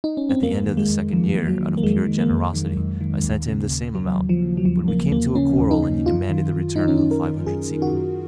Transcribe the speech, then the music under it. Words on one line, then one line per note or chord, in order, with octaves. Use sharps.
At the end of the second year, out of pure generosity, I sent him the same amount; but we came to a quarrel and he demanded the return of the five hundred sequins.
D#4
C#4
C4
F2 A#3
D#3
G#3
F2
D#3 F3
F2
F#3
D#3
A#3
F2 G#3
D#3
A#3
F2
D#3
F2
D#3
D#2
C#3
D#2
C#3 F#3
D#2
F3
C#3
F#3
D#2 F3
C#3 A#3
D#2 A#3
C#3 C#4
D#2
D#4
C#3
F#2 F4
D#3
F#2
D#3 D#4
C#4
F#2 D#4
A#4
D#3
F#2 G#4
D#3
F#4
F#2